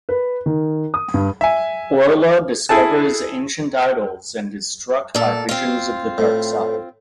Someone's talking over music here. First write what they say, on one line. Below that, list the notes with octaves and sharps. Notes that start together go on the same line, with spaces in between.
Orla discovers ancient idols and is struck by visions of the dark side.
B4
D#3
D#6
G2
E5 G#5
E4 G#4 A4 A5
A#2 A4
C4 F4
A2